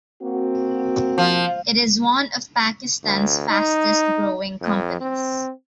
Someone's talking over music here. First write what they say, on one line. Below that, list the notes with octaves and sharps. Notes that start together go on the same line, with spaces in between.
It is one of Pakistan's fastest growing companies.
A#3 C4 F#4
F3
D2
D#4
F2
C4